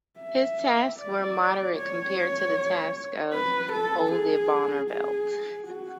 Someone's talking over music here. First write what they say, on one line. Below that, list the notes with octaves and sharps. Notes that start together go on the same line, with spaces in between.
His tasks were moderate compared to the tasks of Oldebarnevelt.
E5
D5
C#5
B4
A4
G#4
G#4
F#4